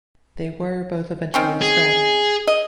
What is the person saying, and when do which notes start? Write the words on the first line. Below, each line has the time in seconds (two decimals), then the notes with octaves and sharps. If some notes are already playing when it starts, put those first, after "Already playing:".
They were both eventually scrapped.
1.34 D#3 C4 C#4
1.61 G#4
2.47 D#5